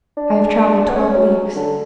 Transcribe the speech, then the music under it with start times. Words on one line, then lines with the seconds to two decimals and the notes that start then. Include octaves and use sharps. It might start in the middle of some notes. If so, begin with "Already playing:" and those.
I have travelled twelve leagues.
0.17 D4
0.89 B3
0.96 C#4
1.16 F#3
1.55 D3